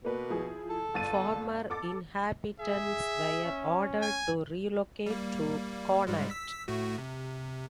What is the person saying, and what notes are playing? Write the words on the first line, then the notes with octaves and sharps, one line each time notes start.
Former inhabitants were ordered to relocate to Connacht.
B2 A#3 B4
F3 E4 G#4
A4
G1 A6 D#7
A4 D6 A6
G#4 E5
C#4
G#5
G3 A#3
G#2 G3 G#3
E6 B6
A2 A3 F#4
C3